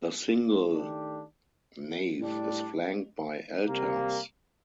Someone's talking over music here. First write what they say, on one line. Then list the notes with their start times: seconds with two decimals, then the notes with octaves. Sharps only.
The single nave is flanked by altars.
0.71 D#3 A3 D4 G4
2.19 A2 G3 D4
3.67 C3 G3 A#3